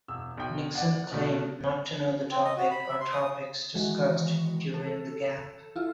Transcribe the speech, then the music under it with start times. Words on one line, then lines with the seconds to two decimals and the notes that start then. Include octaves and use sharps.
Nixon claimed not to know the topic or topics discussed during the gap.
0.08 E1 E6
0.38 B1 G5
0.75 D5 F#5
1.12 B1 B2 A3
2.31 C4
2.45 D#5
2.57 F#4
2.71 B5
2.89 E5
3.00 C6
3.12 D#6
3.75 D#3 E3 G#3 F#4
4.74 A4
5.76 E4 F4